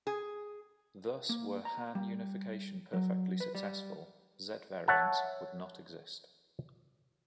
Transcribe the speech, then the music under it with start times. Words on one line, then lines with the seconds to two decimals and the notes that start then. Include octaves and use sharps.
Thus, were Han unification perfectly successful, Z-variants would not exist.
0.07 G#4
1.29 A#3
1.65 A#5
1.95 G3
2.93 F#3
3.40 B4
3.55 G3
4.88 C#5 E5 F#5 A5